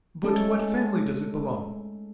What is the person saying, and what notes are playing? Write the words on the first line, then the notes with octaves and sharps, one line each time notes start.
"But to what family does it belong?"
G#3 A3 C#4 A4